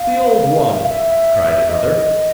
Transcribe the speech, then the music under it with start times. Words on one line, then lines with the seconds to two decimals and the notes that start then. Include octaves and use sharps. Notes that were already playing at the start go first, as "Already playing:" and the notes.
"The old one," cried another.
Already playing: F5
0.71 E5
0.81 F5
0.89 E5
1.69 D#5